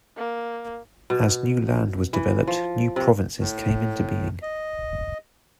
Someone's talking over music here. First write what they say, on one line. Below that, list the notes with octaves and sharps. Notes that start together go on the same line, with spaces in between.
As new land was developed, new provinces came into being.
A#3
B2
E3
F3
C3
A2
D#5